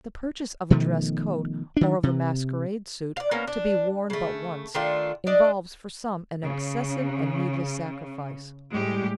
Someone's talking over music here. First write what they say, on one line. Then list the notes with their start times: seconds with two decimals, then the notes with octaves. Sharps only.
The purchase of a dress-coat or of a masquerade-suit to be worn but once, involves for some an excessive and needless sacrifice.
0.70 B2 D#3 F3 A3
1.77 D#3 D4
2.03 C3
3.17 D5 F5
3.31 A#3 B3 C#4 A#4
3.47 D4
4.10 C#3 A3
4.75 D#3 A3 D4 F4
5.27 D4 D5 D#5
6.43 C#3
8.71 A2 G3 G#3 G4